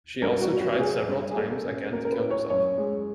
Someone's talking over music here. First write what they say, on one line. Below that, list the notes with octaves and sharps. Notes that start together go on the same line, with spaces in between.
She also tried several times again to kill herself.
G2 A#4
F#4
F#3
F#4
F#3 G#4
G2
G#4
A#3 A4
C#4
A#3 A#4
A#4
B4
A2
C#5
F#2 C#5
G#3